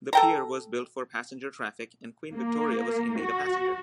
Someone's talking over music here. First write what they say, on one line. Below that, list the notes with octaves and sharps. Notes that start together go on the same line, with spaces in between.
The pier was built for passenger traffic and Queen Victoria was indeed a passenger.
A4 G5 A#5
A#3
F#4